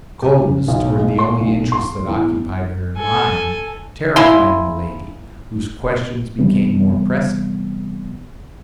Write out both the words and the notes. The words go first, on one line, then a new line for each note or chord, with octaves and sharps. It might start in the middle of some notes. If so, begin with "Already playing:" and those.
This coldness toward the only interests that occupied her mind terrified Milady, whose questions became more pressing.
G4
C#3
B1
G#3
C6
B1
C6
E2
A4 G#5
A#3 E4 G#5 C6
C3 E3 G3 B3